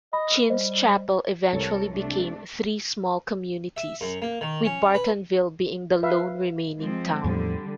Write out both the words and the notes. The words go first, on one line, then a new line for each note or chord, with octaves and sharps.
Chinn's Chapel eventually became three small communities, with Bartonville being the lone remaining town.
D#5 B5
G3 C5 D#5
C2 A4 A#4 C#5
C3 A3 D4
E5
F#2
A#3
D#3
C#4
B4
B4 E5 F5
F3 G#3 C4
E2 A2 D3 F3 G3